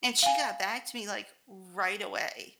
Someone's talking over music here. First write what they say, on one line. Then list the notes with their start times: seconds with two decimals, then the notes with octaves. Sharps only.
and she got back to me, like, right away
0.23 F5 G#5